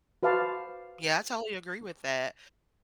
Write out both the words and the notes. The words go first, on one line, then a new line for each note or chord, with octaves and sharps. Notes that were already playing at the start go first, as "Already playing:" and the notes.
Yeah, I totally agree with that.
F#4 B4 C5 F5 A5 D6